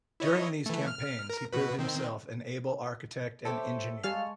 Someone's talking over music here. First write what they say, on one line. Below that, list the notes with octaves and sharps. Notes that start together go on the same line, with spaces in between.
During these campaigns he proved himself an able architect and engineer.
E4 C#5 D#5
E3 A3
F6
A#4
B2 F#4 B4
D#3 C4
E4 G4 A4 C5 C#5
G3 G#3 F5 G#5 A5 C#6 F6